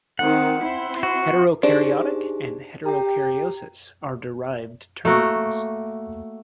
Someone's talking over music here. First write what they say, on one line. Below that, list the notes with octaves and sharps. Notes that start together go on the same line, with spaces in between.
Heterokaryotic and heterokaryosis are derived terms.
D#3 C4 F#5
C4 E4 C6
F#4
D4 D#4 G4 G#4 C5
G4 G5 A#5
A3 A#3 F#4